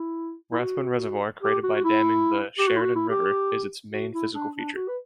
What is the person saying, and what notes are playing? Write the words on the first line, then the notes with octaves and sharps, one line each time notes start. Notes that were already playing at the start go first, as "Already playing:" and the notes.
Rathbun Reservoir, created by damming the Chariton River, is its main physical feature.
Already playing: E4
E4
F#4
G4
F#4
F#4
E4
G4
F#4
E4
F#4
E4
G4
F#4
E4
D4
D4
F#4
B4